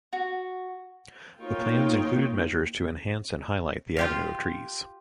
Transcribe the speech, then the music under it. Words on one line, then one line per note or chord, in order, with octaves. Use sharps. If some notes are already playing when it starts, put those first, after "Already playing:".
The plans included measures to enhance and highlight the avenue of trees.
F#4
A#3 D#4 F4 C#5 G5
F4 G4 F5